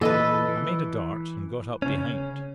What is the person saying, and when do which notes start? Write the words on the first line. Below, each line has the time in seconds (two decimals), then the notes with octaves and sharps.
I made a dart and got up behind.
0.01 A#2 E3 A4 B4 D#5
0.48 E3
1.82 C#3 C#4